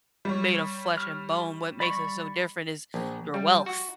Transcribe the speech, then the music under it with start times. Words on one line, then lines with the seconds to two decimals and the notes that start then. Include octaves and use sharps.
made of flesh and bone, what makes us so different is your wealth.
0.25 G3 C#5
0.98 F6
1.80 D5 B5 C#6
2.94 A#1
3.34 G3
3.66 F#4